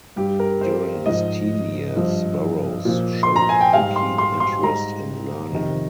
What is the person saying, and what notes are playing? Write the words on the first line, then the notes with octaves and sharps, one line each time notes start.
During his teen years Burroughs showed a keen interest in learning.
G2 G3 G4
A#4
C5
G#2 F3 D#5
G2 F3
A#2 F3
C6
A#5
G#5
G5
G#2 G3 F5
C6
C6
C6
G#2 G3 A#5
F2 C3 D#3